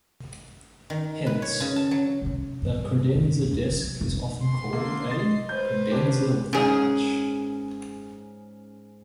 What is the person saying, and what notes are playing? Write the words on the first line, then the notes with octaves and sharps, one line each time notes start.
Hence, the credenza desk is often called a "credenza with hutch".
D#3
B4
C#5
C#3
A5
F#3
C3 C#4
G2 F3
B1 F#2
D2 F3
F3
F1
C6
D3 A#3
D#5 A6
B4 C5 G6
C#4 D4 G4
G#2 C#4 G#4 A#4 C#5